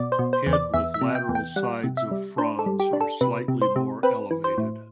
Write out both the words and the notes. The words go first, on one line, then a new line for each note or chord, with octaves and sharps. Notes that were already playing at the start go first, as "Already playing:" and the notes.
Head with lateral sides of frons are slightly more elevated.
Already playing: B2 D5
C5
B2
C5
E2
D5
E2 E5
E5
C3
G5
E2
G5
G3 F#5
C3
E5
G3
D4 C5
A4
G3
G4
D4
A4
C3 B4
C3
C5
C3
C4 B4
E3
C5
A2